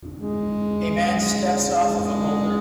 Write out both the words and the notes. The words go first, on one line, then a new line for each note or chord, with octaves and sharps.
A man steps off of a boulder.
G#3
G#3